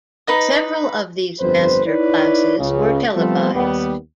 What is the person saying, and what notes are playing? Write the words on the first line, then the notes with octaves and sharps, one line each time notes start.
Several of these master classes were televised.
D#4 B4 D#5 D#6
G1 F2 B4 C5
D#4 E4 B4 C#5 D5
C#2 C#3
F3 G3 A3 B3 C4 F4
D#2 G3 B3